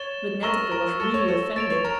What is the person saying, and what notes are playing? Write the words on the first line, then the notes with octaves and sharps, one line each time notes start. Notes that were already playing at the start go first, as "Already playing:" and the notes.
But Netteke was really offended.
Already playing: C#5 A6 E7 G7
A#4 C#6 E6 A#6 E7 G7
A#4
A4 A6 E7 G7
C#5
A4
C#5 A6 D7 F7
C#5
A#4